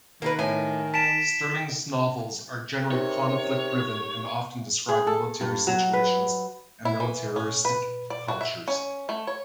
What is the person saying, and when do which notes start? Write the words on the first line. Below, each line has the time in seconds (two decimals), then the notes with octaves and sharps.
Stirling's novels are generally conflict-driven and often describe military situations and militaristic cultures.
0.22 D#3 A#3 A#4 B4
0.39 A2 G#5
0.94 A5 B6 D7 E7
2.91 C3 D#4 G4 A#4 C#5
4.89 G#4
5.07 A4
5.41 G2
5.67 F#3
5.93 B4
6.85 E4
7.00 E3
7.36 C#4
7.65 B4
8.10 D5
8.28 F#4
8.41 E5
8.68 C#4
9.09 A3
9.27 C#5